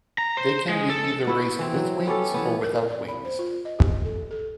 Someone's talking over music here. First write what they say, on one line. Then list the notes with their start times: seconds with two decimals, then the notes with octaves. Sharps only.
They can be either raced with wings or without wings.
0.18 A#5
0.37 C5
0.69 G#3
0.90 A4
1.27 B3 E4 F#4 E5
1.59 E3 C4
1.74 F#3
2.07 B3 C#4 G4 A4
2.34 E3 B3
2.64 A#4
2.76 A#4
2.89 D5
3.08 B5
3.25 C5
3.39 F4
3.65 D#5
3.79 G4
4.05 A4
4.31 A4